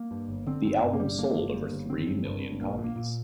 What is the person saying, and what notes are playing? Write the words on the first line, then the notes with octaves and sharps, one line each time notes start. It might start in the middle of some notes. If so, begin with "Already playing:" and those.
The album sold over three million copies.
Already playing: A#3
G2
G1
D3 C4
G1 C4
G2 A#3
A#3
G1 G3
D3 A#3
G1
G2
G1
D3 C4
G1
G2
G1
A#1 A#3
A#2
A#3
A#2